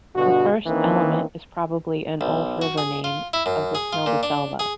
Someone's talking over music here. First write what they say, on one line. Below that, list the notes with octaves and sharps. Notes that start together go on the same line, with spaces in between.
The first element is probably an old river name of the Snilldalselva.
G2 B2 D3 F#4
D#3 E3 A#3 C4 C#4 D#4
B1
F#4
G#4
F4
E4
F#2
G#4
F4
A#2
D4
G#4